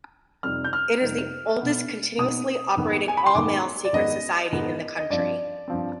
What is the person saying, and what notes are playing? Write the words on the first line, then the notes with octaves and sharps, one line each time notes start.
It is the oldest continuously operating all-male secret society in the country.
F2 C3 G3 C4 D#4 F6
G6
F6
F2 C3 G3 C4 D#4
B2 B3 D#4
B2 B3 D#4 D#6
G#2 D#3 B3
G#5
B5
C6
G#2 D#3 B3 D6
D5
G#2 D#3 G#3 B3 D#5
G#2 D#3 G#3 B3
D#5
G2 F3 C4 D5
G2 F3 C4